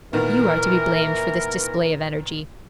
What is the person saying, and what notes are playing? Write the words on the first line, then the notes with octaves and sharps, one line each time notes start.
You are to be blamed for this display of energy.'
A#2 D#3 E3 B3 A#4